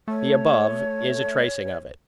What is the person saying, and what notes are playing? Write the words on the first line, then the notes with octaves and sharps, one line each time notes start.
The above is a tracing of it.
A3 C#5